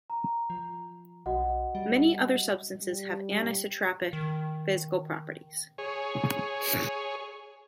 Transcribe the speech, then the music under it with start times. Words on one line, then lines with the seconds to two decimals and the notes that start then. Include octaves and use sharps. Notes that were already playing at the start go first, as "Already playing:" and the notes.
Many other substances have anisotropic physical properties.
0.10 A#5
0.50 F3
1.26 B1 F#4 D#5 F#5
1.75 G3
2.82 G3
4.13 D#3
5.78 G#4 C#5